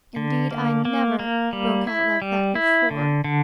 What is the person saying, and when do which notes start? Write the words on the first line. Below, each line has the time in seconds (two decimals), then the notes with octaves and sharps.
Indeed, I NEVER--broke out like that--before.
0.16 D3
0.51 A#3
0.85 A#3
1.19 A#3
1.53 G3
1.87 E4
2.22 G3
2.55 E4
2.91 D3
3.24 D3